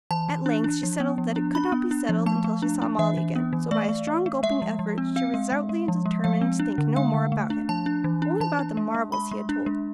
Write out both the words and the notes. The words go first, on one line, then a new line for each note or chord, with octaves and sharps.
At length she settled that it could not be settled until she saw Molly again; so, by a strong gulping effort, she resolutely determined to think no more about him, only about the marvels he had told.
E3 A5
E3
D4
D4
F3
B3
F3
D4
D4 B5
B3
D4
F3
A3 A5
A3
D4
D4
E3 E5
E3
B3
E3
A3 D5
A3
A3
A3
G#3 E5
F3
F3
C4
C4 F5
G#3
G#3
G#3
F3
G#3
F3 F5
C4
D4
D3
G#3 F5
D3
A3
D4
F3 A5
D4
E3
D4
E3 A5
D4
G#3
G#3
G#3 B5
G#3
D4
G#3